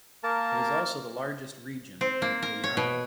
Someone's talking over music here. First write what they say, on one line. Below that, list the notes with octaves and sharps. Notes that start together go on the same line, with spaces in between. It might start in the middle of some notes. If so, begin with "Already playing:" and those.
It is also the largest region of Guyana.
A#3 A#4 A5
C4
A#3
A#4
C#5
B2